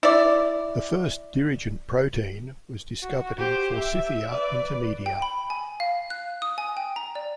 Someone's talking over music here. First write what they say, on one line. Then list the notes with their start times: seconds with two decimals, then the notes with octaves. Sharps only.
The first dirigent protein was discovered in "Forsythia intermedia".
0.03 E4 D5
3.03 F#4
3.39 G4 C5
3.78 E5
4.31 B4 D5
5.06 G5
5.22 B5
5.50 G#5
5.80 F5
6.10 F#6
6.42 D#6
6.58 G#5
6.77 G5
6.96 A#5
7.15 D5